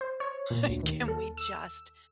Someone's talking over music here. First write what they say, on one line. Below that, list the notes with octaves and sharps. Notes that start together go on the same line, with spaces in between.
Like, can we just
C5
C#5
A#2
D2
D#2
A4
E6